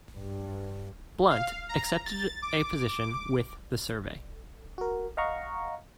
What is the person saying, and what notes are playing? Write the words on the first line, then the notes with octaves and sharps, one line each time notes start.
Blunt, accepted a position with the Survey.
G2
F5
A#5
A6
D6
F#4 A#4
D#5 F5 F#5 A#5 C#6